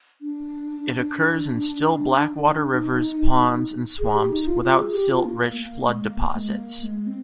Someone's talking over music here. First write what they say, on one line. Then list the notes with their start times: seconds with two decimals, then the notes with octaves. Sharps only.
It occurs in still blackwater rivers, ponds and swamps without silt-rich flood deposits.
0.21 D4
2.73 D#4
3.99 G#4
4.15 G4
4.31 D#4
4.47 F4
4.62 F4
4.78 G#4
4.94 G4
5.10 F4
5.25 A#3
5.56 A#3
5.88 G#3
6.04 A#3
6.20 A#3
6.35 G#3
6.51 A#3
6.83 G#3
7.07 C4